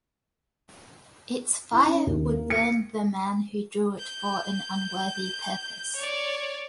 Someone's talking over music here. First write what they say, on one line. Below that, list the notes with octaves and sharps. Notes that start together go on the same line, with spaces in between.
Its fire would burn the man who drew it for an unworthy purpose.
E4
C#4
D#2
A#3
C#7
G6
C#5 D5